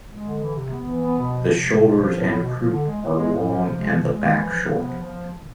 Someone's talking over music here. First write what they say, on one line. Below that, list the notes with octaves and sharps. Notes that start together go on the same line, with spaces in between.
The shoulders and croup are long and the back short.
G#3
D3
E3
C3
B3
E3
B3
B2
F3
C3
G#3
B2
F3
A2
B3
B2
F3
D3
G#3
A2
G#3
A2
F3
C3
G#3
B2
G#3
E3
F3
C3
B3
F3
F3